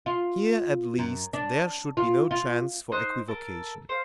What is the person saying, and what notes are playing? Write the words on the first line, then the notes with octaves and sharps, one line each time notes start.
Here, at least, there should be no chance for equivocation.
F4
F#2
D4
F4
F4
D#4 C5 F#6
A4 A#4
C5 F5